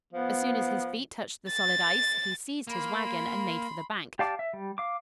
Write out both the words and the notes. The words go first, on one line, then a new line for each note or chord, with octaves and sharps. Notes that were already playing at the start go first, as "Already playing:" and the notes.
As soon as his feet touched the solid ice, he seized his wagon and made for the bank.
F3 B3
A6
A#3 B5 C6
G4 D5 F5 A5 D6
E5
G3
F5 D6